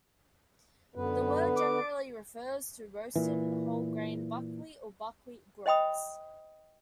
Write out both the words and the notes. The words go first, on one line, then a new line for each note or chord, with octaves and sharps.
The word generally refers to roasted whole-grain buckwheat or buckwheat groats.
F#2 D3 B3 B4
D6
A#2 E3
C5 D#5 G5 B5 D#6